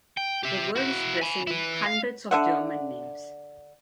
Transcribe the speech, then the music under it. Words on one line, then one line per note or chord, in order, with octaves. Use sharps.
The word is present in hundreds of German names.
G5
G4 E5
E4 F#4
G#5 B5
E4 B4
F5
D3 E5 F#5